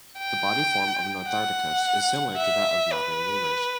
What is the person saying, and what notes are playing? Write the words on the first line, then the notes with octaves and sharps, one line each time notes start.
The body form of "Notharctus" is similar to that of modern lemurs.
G5
F#5
E5
B4